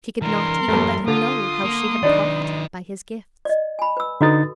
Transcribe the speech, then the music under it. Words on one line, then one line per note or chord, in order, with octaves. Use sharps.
She could not even let him know how she had profited by his gifts!
E3 D4 A#4 C6
A1 F#2 A3
D3 F4 C6 D#6
A#3
D#3 D4 D#4 B4 D5
D5 D#5
G#5 B5
B4 E6
D3 D#4 F#4 A4 B4 A6